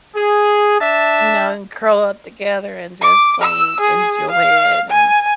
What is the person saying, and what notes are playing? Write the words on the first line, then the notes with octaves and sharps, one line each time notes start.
you know, and curl up together and just, like, enjoy it and
G#4
D4 E5 A5
D6
E6
G#4
F5
G#5